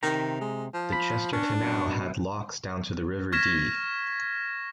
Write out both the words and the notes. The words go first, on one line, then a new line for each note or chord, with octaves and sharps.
The Chester Canal had locks down to the River Dee.
C3 D#3 A#5
G#3
F3
B5
C#4 D4
F#2 B2
C#6 F6 G#6 A#6 B6 E7